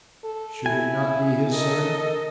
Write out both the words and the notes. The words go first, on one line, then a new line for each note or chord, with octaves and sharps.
Should it not be his son?
A4
E4 G#5
A4 A#4 D#5